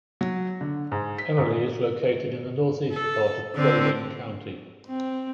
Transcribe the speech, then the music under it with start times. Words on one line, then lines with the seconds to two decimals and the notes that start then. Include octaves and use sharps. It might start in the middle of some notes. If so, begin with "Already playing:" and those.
Emily is located in the northeast part of Crow Wing County.
0.21 F#3
0.61 D3
0.92 G#2
1.18 B6
1.38 G#2
2.92 A4
3.55 D3 C4
4.87 C4